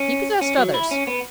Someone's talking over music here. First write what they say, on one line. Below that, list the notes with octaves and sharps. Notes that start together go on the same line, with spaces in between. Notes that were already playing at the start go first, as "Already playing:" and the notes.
He possessed others.
Already playing: C#4
C#4
F#3
E4
C#4
B3